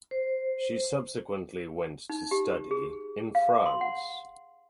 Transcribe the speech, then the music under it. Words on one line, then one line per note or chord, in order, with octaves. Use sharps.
She subsequently went to study in France.
C5
D#4
G4
G#4
F5
C6
F#5